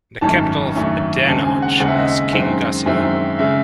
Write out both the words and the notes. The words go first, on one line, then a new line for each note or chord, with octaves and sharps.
The capital of Badenoch is Kingussie.
G#1 F#2 D#3 A3 C#4 A5
G#1 F#2 D#3 A3 C#4
D#2 C#3 G#3 C4 A5
G#5
F#5
D#2 C#3 G#3 C4 F#5
E5
D#5
E5
F#2 D#3 G#3 C4
F#2 D#3 G#3 C4 E5
C#3 G#3 E5